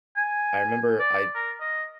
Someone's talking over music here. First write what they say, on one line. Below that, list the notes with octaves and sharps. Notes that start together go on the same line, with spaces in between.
I remember I
G#5
D5
A#4
D#5